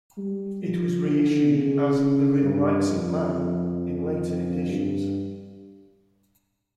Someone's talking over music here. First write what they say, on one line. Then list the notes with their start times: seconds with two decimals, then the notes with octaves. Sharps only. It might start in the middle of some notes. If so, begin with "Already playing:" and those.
It was re-issued as "The Real Rights of Man" in later editions.
0.17 G3
0.62 F3
1.08 D3
1.53 C#3
1.98 C#3
2.43 G2
2.89 F2
3.35 F2
4.71 G2